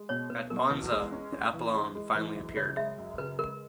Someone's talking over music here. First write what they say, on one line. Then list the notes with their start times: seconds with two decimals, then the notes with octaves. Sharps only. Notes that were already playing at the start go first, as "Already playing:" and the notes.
At Monza the Apollon finally appeared.
Already playing: G#3
0.09 B2 C#5
0.30 B2 B4
0.50 B2 A#4
0.71 E2 B4
0.92 G#3
1.12 C#4
1.32 C#4
1.53 E3
1.75 G#3
1.95 G#3
2.15 E3
2.36 F#2
2.56 C#3 C#5
2.77 G#3 E5
2.98 F#2
3.18 C#3 B4
3.39 G#3 A#4